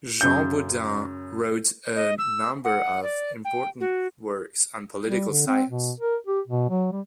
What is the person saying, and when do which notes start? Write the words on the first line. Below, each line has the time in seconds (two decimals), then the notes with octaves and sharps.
Jean Bodin wrote a number of important works on political science.
0.21 F#2 C#3 G6
1.96 D#5
2.18 E6
2.65 F#5
3.03 D5
3.45 G5
3.80 F#4
5.06 G3
5.29 D3
5.47 C4
5.69 B2
6.00 A#4
6.27 G4
6.48 B2
6.70 F#3
6.92 G3